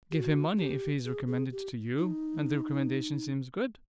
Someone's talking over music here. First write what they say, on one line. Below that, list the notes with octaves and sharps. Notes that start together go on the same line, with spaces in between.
"Give him money, if he is recommended to you, and the recommendation seems good."
G4
F#4
G4
G#4
G#4
G4
D#4